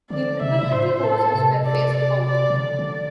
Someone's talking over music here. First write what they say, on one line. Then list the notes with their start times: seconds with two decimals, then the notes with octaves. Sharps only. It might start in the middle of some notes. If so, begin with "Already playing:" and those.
The preparatory courses were phased out.
0.10 D3 D5
0.41 C3 E5
0.63 C3
0.72 A2 C5
1.04 A4
1.34 C3
1.66 D5
1.97 D5
2.27 D5
2.50 C3
2.58 D3 D5
2.79 D3